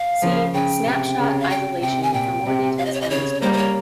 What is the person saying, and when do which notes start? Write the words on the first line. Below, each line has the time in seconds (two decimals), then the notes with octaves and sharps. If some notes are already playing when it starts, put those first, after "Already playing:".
See "snapshot isolation" for more details on this topic.
Already playing: F5
0.22 C#3 F3
0.54 C#3 G5
0.86 C3
1.18 C#3
1.40 F5
1.50 G5
1.81 C3 G5
2.03 G#5
2.13 A#2 G5
2.46 C3
2.78 F5
2.85 D#5
2.93 C#5
3.01 D#5
3.10 C#3 C#5
3.42 G3 A#3 C5
3.53 C5
3.57 C#5